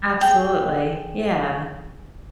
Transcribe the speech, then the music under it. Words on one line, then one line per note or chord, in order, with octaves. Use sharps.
Absolutely, yeah.
G#4 G5